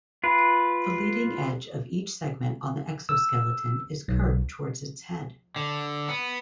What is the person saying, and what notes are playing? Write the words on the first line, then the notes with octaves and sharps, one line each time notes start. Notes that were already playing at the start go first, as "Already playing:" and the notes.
The leading edge of each segment on the exoskeleton is curved towards its head.
F4 B4
E6
B1
D3
B3